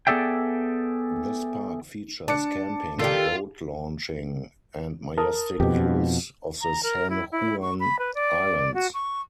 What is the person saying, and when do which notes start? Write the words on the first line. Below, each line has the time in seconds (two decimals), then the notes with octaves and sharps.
This park features camping, boat launching, and majestic views of the San Juan Islands.
0.07 B3 G#4 A4 D5 E5 G5
2.28 D4 A5 D6 C#7
2.99 D#3 F4 G4 A4 D5
5.17 A#4 A5 D#6
5.60 F2 B2 G4
6.61 A#5
6.82 A#4
7.10 E4
7.31 E4
7.61 C#6
7.79 B5
7.98 B4
8.14 D5
8.74 F#4
8.94 C#6